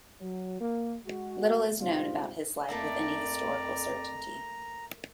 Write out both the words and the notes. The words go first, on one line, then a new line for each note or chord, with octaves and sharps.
Little is known about his life with any historical certainty.
F#3
A#3
G#3 F#4
G#2 C3 G3 C4 F4
F2 A3 A#3 E4 D5 A#5